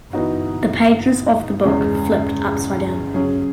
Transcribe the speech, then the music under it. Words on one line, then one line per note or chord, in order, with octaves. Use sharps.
The pages of the book flipped upside down.
E3 B3 D#4 F#4
E2 C#3 G#3 C#4 G#4
C#3 F#3 C#4 G#4